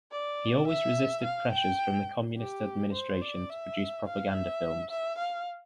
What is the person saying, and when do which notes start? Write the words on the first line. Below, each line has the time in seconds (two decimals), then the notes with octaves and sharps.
He always resisted pressures from the communist administration to produce propaganda films.
0.12 D5
0.68 E5
1.24 F5
1.53 G5
2.37 G4
2.93 C5
3.21 D5
3.50 E5
4.06 F5
4.33 E5
4.90 E5
5.18 F5